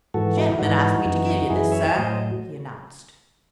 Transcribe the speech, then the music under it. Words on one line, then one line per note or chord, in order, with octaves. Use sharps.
"The gentleman asked me to give you this, sir," he announced.
G#2 E3 F#4 A4
E4
E4
G#2 E3 D#4 F#4
F#2 E3
F#2 E3 E4 G#4
C#5 E5
A2 F#3 C5 D#5